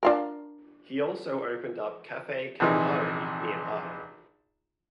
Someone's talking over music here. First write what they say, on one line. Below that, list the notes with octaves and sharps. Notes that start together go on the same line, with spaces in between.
He also opened up Cafe Campari nearby.
D4 F4 A#4
A#1 C3 E3 D#4 G#4